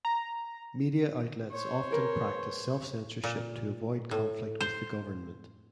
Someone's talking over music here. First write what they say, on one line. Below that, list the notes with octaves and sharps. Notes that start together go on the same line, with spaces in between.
Media outlets often practice self-censorship to avoid conflict with the government.
A#5
C5 C#5
G#4 A#4 B4
A#2
A2
C5